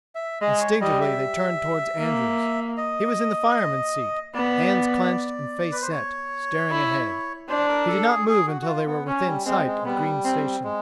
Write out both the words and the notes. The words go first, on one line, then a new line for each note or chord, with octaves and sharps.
Instinctively they turned toward Andrews. He was in the fireman's seat, hands clenched and face set, staring ahead. He did not move until they were within sight of Green's Station.
E5
G#3 D#5
C#5
G3 D#5
E5
A#3
D#5
B3 D5
B4
C5
C#5
E4
D4 C5
A#4
A4
G#4
G#4
F#4
F#4
F4
B3
C#4
G3
G#3 C4
G#3
G3 B3
C4
G#3